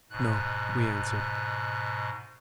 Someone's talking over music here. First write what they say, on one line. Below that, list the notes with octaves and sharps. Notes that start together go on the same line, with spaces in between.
"No," we answered.
G#2 B2 F#6